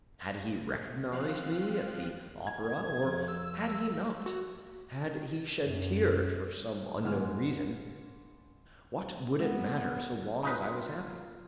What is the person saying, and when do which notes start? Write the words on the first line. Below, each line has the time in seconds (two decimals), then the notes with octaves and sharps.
Had he recognized me at the opera or had he not, had he shed tears for some unknown reason, what would it matter so long as I was happy?
1.12 F3 C4 F5 F#6
2.47 G#6
3.03 F2
3.28 E6
3.92 A#2
4.26 F#4
5.62 F#2
7.05 G#2 B3 F6
9.40 G#3 B3
10.43 C#3 D#4 F4 B4